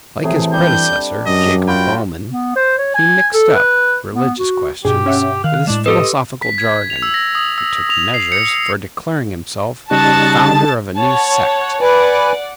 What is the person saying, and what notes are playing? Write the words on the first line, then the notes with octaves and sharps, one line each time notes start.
Like his predecessor, Jacob Boehmen, he mixed up religious questions with his philosophical jargon, and took measures for declaring himself the founder of a new sect.
A2 C3 E3 G#4
G3 D4 G4 G6
F#2 D#5
F4 F#4 G5 B5
B3
C5
C#5
G#5
A4
B4
B3
F#4
G2 B2 G4 G#4
C#4 E5 F#5
D#3 F5 F#6
A2 G#3 D4 E7
G4 A4 B4 D#5
B6
G#6
F7
E6
A#6
D#6
E6
F7
C7
C#7
C#3 G3 D#4 F#4 A5 A6
C#5 F#5 A5
B4 D5 F#5 G#5